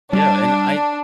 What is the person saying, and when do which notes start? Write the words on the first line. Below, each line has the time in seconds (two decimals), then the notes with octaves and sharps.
Yeah, and I
0.13 G3 D4